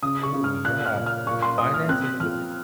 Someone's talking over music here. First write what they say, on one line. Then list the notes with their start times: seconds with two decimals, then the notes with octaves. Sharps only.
Ooh, yeah. Uh, finance is is a
0.03 C#3 D#6
0.23 C#6
0.33 C#3
0.44 F6
0.65 A#2 F#6
0.86 F6
0.96 A#2
1.06 F6
1.27 A#2 C#6
1.42 C6
1.58 A#2 D#6
1.74 F6
1.89 C4 F#6
2.20 F3 F6